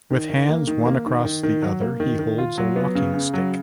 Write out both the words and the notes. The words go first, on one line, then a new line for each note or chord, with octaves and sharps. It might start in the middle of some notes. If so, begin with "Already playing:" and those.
With hands, one across the other, he holds a walking stick.
D#3
D#3
A#3
D#3
A#3
D#3
D#3
D#3
F#3
A#3
D#3
D#3
F4
F#3
B3
C#3
C#3
F#3